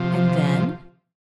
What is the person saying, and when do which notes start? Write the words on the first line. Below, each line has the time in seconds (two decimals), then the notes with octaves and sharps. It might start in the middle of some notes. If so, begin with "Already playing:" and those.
"And then?"
Already playing: C3 F3